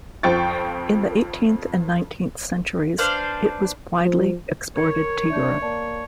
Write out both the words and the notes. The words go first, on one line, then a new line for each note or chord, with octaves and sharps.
In the eighteenth and nineteenth centuries it was widely exported to Europe.
F2 F3 G5 C#6 A6
D4 B4 C5 F5
F3
A#4 C#5 G#6 C#7
D4 E5 G6
A#3 D5 F5 A5